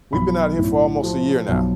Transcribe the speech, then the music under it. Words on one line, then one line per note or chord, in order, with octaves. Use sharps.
we've been out here for almost a year now,
B1 B5
A2
F3
B1